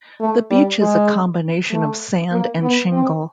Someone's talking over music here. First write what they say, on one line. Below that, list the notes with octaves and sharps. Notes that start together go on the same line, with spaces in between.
The beach is a combination of sand and shingle.
A3
G3
G#3
A3
A#3
B3
C4